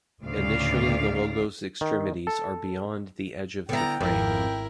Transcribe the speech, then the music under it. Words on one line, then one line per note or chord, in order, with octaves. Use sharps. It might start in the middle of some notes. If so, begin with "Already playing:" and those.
Initially the logo's extremities are beyond the edge of the frame.
D2 A2 C#3 D5 F5
D#3
A4
D3 B3 E4 G5 A#5
G#1 F2 E4 A#4